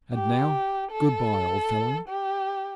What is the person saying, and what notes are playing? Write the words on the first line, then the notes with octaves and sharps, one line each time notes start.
And now, good-bye, old fellow.
G4
A4
G4